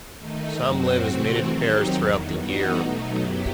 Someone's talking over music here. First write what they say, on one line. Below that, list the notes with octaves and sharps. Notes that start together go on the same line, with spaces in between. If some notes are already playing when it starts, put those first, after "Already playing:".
Some live as mated pairs throughout the year.
D#3 A3 D#4
F#2 F#3 C4 F#4
C3 E3 A3 C4 F#4
D#3 F#3 C4 D#4 G4
E2 D#3 F#3
E3 G3 B3 D#4 F#4
B2 F#3 A3 D#4
F#2 F#3 B3 E4 G4